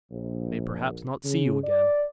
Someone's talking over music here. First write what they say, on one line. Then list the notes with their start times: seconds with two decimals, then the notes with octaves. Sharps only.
"I may perhaps not see you again..."
0.11 A#1
1.25 C#3
1.64 D5